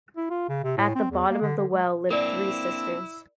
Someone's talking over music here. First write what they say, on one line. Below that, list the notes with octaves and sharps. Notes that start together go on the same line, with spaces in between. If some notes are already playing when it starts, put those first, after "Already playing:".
At the bottom of the well lived three sisters.
E4
F4
C#3
C3
A2
C4
E2
A#3
D3
D3
G#3
A#3 C4 D4 E4 A#4 D5